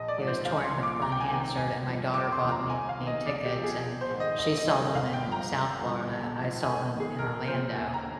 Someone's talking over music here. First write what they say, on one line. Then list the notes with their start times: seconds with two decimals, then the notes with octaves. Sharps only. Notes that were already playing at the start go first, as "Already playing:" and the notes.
He was touring with Glen Hansard, and my daughter bought me tickets, and she saw them in South Florida, I saw them in Orlando,
Already playing: A#1 D#5
0.08 D5
0.18 G#2 F3
0.27 C5
0.45 C2 F5
0.65 C6
0.73 A#2 F3
0.83 D6
1.01 C2 A#5
1.12 G5
1.21 G#5
1.30 C3 D#3
1.40 G5
1.57 G#1 G#5
1.86 G2 F3
2.14 F1 D6
2.32 C6
2.42 D#2 D3 F3
2.51 A#5
2.70 C2 G#5
2.89 F5
2.98 C3 D#3
3.07 D#5
3.26 C2 D5
3.45 G4
3.55 C3 F3
3.64 G#4
3.82 A#1
4.01 C5
4.10 G#2 D#3
4.20 D#5
4.39 G1 D#5
4.58 D#5
4.67 G2 D3 F3
4.94 G#1 F5
5.14 G5
5.23 G2 F3
5.32 A#5
5.51 G1
5.79 G2 D3 F3
6.07 A#1
6.35 G#2 F3
6.63 G1 G#5
6.91 F2 D#3
7.00 G#4
7.19 A#1 A#4
7.48 A#2 F3 C5
7.75 D#2 G#5
7.94 A#5
8.04 D3